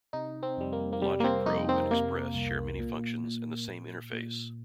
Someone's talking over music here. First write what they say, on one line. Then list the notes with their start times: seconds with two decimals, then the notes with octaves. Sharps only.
Logic Pro and Express share many functions and the same interface.
0.13 C3 D#4
0.43 C4
0.58 F2 G3
0.73 A#3
0.93 A#3
1.02 C3 G3
1.20 A#3
1.24 C4
1.46 F2 D#4
1.69 C4
1.91 C3 A#3
2.35 C2
2.79 A#2
3.24 A#2
3.68 A#2
4.13 A#2